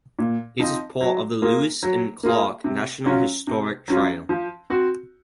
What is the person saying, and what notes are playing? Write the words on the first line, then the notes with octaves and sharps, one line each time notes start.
It is part of the Lewis and Clark National Historic Trail.
A#2
F3 C4 D#4
F#3
A#3 F4 G#4
F#3
A#3 F4 G#4
C3
F#3 C#4 F4
C3
F#3 C#4 F4
F3
C4 F#4